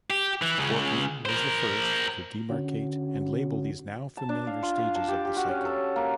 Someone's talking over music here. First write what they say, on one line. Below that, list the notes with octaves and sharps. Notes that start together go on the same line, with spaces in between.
Horton was the first to demarcate and label these now-familiar stages of the cycle.
G4
E3
C#2 C#3
A#4 C5
D3 C#4 F#4
A5
D4
F5
F4
F5
A5
G4
G4
F#4
C#4
A4
A#3